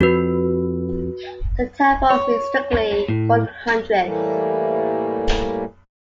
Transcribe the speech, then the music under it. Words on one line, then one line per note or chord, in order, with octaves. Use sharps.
"Centavo" means, strictly, "one-hundredth".
F2 F#4 B4
C#5
A2
A2 E3 G3 A3 A#3